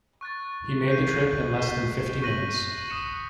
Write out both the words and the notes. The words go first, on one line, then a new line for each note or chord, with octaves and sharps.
He made the trip in less than fifty minutes.
C#6 F#6 A6
G6 C7 D#7
G6 B6 E7 G7
C#6 F#6 A#6 D#7 F#7
D#6 F#6 A#6 C#7 E7